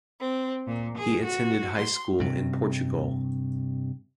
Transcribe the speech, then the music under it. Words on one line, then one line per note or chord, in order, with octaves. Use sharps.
He attended high school in Portugal.
C4
A#2
G#4
F#4
C6
G2 C3